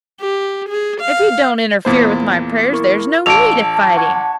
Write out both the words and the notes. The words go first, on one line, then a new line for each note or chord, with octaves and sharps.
If he don't interfere with my prayers there's no need of fighting.
G4
G#4
F5
E2 A#2 C5
E4 A#4 C#6
A1 A5 E6 D7 F7
F#5 C#6 G#6